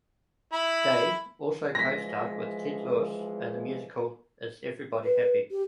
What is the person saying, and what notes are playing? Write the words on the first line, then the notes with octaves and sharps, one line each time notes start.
Day also co-starred with Ted Lewis in the musical Is Everybody Happy?
E4 B5
E3 F3 G#3 A#6 B6
B4
G4